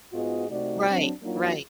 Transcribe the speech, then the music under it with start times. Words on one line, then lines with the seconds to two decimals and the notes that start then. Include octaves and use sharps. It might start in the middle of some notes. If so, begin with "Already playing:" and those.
Right, right.
0.13 G#2 B3 F4 F#4 G#4 D#5
0.50 C3 A3 D#4 F#4 D5
0.90 F#3 C4 D4
1.23 F#3 A#3 D4 D#4 F4 F#4